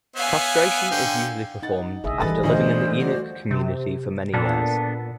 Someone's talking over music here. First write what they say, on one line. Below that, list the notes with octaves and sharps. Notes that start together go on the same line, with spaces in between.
Castration is usually performed after living in the eunuch community for many years.
B3 C#5 E5 F5 G#5
D3 G5
D#4 F#5 A6
A1 G#4 D#5 E5
D#3 E3 G3 G#4 A4 B4 A6
D2 D3 A3 D4 F4 C5 D#5
F#4 C5 D5
C3
A#2 B3 D4 A4